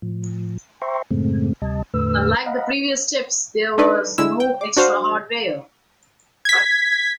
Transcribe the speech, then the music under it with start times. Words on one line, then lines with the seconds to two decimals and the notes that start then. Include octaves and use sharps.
Unlike the previous chips, there was no extra hardware.
0.02 A2 F3
0.82 C5 E5 G5 A#5 C6 C#6
1.11 F#2 A2 C#3 G#3 A3 C4
1.62 D2 C3 G3 D#5 A5
1.94 E2 A2 D3 A3 B4 E6
2.46 D#5 F5 F#5 A#5 B5
3.78 D4 D#4 A4 B4 D5 D#5
4.18 D3 G#3 E4 E6
4.40 G5
4.61 D6
4.77 D4 F#4 C5 F5
6.45 G#6 B6